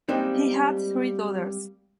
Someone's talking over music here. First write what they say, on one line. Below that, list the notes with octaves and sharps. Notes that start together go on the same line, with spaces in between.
He had three daughters.
G3 G#3 A#3 C4 D#4